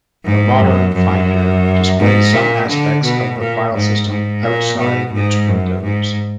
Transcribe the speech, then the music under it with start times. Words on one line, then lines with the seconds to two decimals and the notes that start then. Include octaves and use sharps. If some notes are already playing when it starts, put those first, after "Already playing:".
The modern Finder displays some aspects of the file system outside its windows.
0.25 G#2
0.60 F#2
0.95 F#2
1.99 G#2
2.34 A#2
2.69 D3
3.04 B2
3.38 A#2
3.74 G#2
4.09 G#2
4.43 A#2
4.78 B2
5.14 G#2
5.48 F#2
5.84 G#2